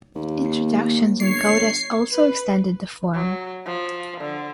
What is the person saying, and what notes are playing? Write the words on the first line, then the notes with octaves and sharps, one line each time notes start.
Introductions and codas also extended the form.
D#2 A#3
G1 C#5 C7
B4
F#3
F3
D3